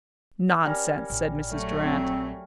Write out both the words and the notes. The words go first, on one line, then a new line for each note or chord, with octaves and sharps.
"Nonsense," said Mrs. Durrant.
G3 C#4 A#4
A#1
F#3 A3
C4